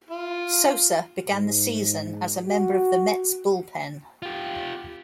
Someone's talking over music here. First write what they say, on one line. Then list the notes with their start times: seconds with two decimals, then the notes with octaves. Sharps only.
Sosa began the season as a member of the Mets bullpen.
0.10 F4
1.27 G#2
2.49 F#4
4.22 F4 G4